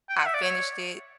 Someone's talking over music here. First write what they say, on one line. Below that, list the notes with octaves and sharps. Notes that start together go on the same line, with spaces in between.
I finished it,
G5
F#5
E5
D5
C#5